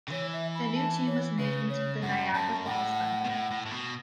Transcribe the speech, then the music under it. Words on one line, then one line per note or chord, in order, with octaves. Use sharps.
The new team was named the Niagara Falls Thunder.
C#3
E3 C#5
E5
B5
A5
C#5
C#3 B4
C#5
F#2 F#5
F#2 A5
A2 F#5
B2
A2
A2
A2
B2